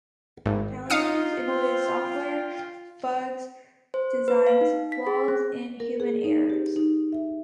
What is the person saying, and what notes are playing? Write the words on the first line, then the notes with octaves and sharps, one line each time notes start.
Challenges include software bugs, design flaws, and human errors.
G#1
D#4 F4 F5 D#6 C#7
C4
G5
C5
B4
F5
D#4
B6
G#4
C4
A#4
G#4
D#4
G4
D#4
E5